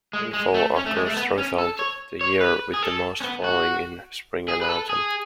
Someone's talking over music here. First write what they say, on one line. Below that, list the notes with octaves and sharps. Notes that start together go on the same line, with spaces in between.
Rainfall occurs throughout the year with the most falling in spring and autumn.
G#3
G#3
A3
C#4
A3
G#3
A3
B3
C#4
A4
C#5
C#5
B4
G#4
A4
C#4
B3
F#4
G#4
B4
A4
G#4